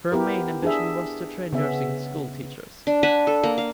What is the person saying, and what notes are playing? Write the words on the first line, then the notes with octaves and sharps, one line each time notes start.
Her main ambition was to train nursing school teachers.
B3 E4 G4 A#4
D4 G#4 E5
C#3 B3 C#4 E5
D4
F#5 G#5 A5 B5
A4
A#3
F5